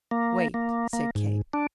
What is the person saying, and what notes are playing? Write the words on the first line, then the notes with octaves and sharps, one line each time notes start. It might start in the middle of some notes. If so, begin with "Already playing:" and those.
"Wait!" said Kate.
A#3
A#3
A#3
G#2
D4